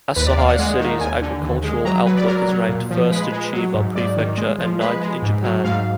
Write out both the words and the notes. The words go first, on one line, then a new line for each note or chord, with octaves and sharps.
Asahi City's agricultural output is ranked first in Chiba Prefecture and ninth in Japan.
D#2 B4
D5
D#2 F5
F#5
G#3
D#3
D#2 G#5
D3
D#2
G#3
F#3 A#5
F#3 B4
D5
F#3 A#4
F#3
A#2
F3
G#3 B4
G#3
F#3
G#2
G#2 D5
D#3
G#3
F3
G#3 B4
G#3
G#2
F#3
G#2 F5